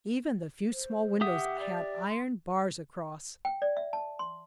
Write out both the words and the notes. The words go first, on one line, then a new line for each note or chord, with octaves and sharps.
Even the few small windows had iron bars across.
C5
G4 E5 F#5 D#6
D5
C6
G5
D5
E5
A5
C6